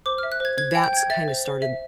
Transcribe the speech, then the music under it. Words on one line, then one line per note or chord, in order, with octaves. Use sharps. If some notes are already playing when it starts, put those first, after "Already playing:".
that's kinda started,
C5 D6
E5 F6
F#6
C5 G#6
C5 G#6
G5 G#6
G6
G5 G#6
E5 A6
C5
C5
E5